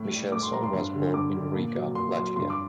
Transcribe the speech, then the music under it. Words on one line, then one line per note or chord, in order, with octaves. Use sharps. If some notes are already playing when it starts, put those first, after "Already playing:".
Michelson was born in Riga, Latvia.
Already playing: A2
G3
A2 D6
C6
G3 A#5
C6
G2
D3 G3
G2 D6
D3 G3
A#2
F#3
A#2 C6
F#3 C6
G2 C6
D6